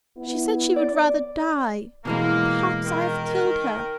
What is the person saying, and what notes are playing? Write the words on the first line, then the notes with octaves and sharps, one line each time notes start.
She said she would rather die. Perhaps I have killed her.
B3 E4
D5
B2 E3 G#3 A#3
D#3 A#4